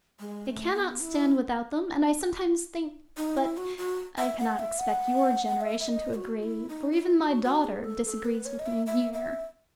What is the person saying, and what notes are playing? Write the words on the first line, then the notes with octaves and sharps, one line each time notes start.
"It cannot stand without them, and I sometimes think--But I cannot expect your generation to agree, for even my daughter disagrees with me here."
G#3
A3
B3
E4
D#4
E4
F#4
F#4
E5
F#5
E5
F#5
E5
E5
D#5
F#4
E4
D#4
F#4
E4
F#4
F#4
G#4
A4
A4
B4
C#5
D#5
E5
E5
E5